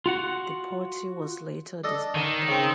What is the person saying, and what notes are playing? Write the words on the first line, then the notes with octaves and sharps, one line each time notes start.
The party was later disbanded.
F4 F#4 F#5
D4 A4 D#5
D#3
C#3 C4